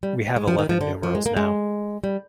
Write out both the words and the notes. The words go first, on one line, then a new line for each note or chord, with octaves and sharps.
We have eleven numerals now.
G3
G#3
F3
D#3
F3
D3
F3
G#3
A#3
G#3
G3